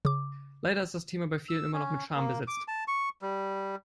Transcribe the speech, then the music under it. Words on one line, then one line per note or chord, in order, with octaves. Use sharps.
Leider ist das Thema bei vielen immer noch mit Scham besetzt.
C#3 D6
E6
C#4
A#3
D6
A5
C#6
G3